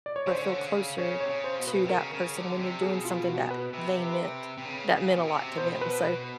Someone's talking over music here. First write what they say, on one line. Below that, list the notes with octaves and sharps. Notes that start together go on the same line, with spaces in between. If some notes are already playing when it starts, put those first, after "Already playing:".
feel closer to that person when you're doing something that they meant that meant a lot to them, so,
D5
C#5
C#3 C5
D3 C#5
C#3
C#3 C#5
C3 C#5
C#3
C5
B2
B4
C3
C#3 A#4
C#3
D3
C3
B2 G#4
F4
F#4
B4
C3
C3
C#3
C#3
B2
C3
B2 C5
B4
B4